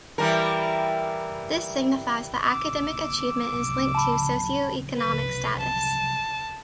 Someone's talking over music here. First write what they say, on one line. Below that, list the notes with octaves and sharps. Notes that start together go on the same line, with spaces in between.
This signifies that academic achievement is linked to socioeconomic status.
E3 G3 A#4
D6 E6
A5 B5
B4
A5